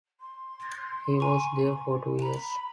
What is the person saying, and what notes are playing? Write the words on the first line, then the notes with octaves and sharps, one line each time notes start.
He was there for two years.
C6
G#5 A#5 C#6
A#5 B5